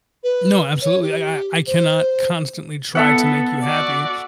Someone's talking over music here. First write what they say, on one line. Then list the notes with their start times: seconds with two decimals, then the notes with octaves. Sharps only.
No, absolutely. I I I cannot constantly try to make you happy,
0.24 B4
0.82 C#5
1.02 G4
1.67 C5
2.95 B3 A4 E5 F#5
3.64 F#4 D5